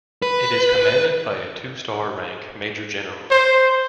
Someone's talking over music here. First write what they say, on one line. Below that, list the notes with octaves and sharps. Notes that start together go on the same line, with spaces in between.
It is commanded by a two-star rank Major-General.
B4
C5